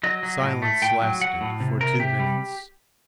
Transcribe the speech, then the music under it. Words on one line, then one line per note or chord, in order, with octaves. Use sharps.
Silence lasted for two minutes.
F#3 D#5
F#3
A2
A3
A2 G5
F#3
F#3 F#5
A2
C3
C3 A#4
C3 G4
G3